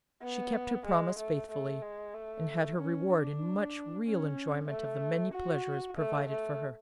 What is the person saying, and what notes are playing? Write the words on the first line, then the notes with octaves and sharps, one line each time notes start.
She kept her promise faithfully, and had her reward in much real enjoyment of the many pleasures provided for her.
B3
G#3
A3
A3
G#3
A3
C#4
D4
C#4
A3
F#4
A3
A3